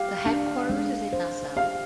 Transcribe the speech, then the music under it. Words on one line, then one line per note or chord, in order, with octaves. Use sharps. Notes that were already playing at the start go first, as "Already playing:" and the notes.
The headquarters is in Nassau.
Already playing: G4 F5
D4
G#3
C5
G4 F5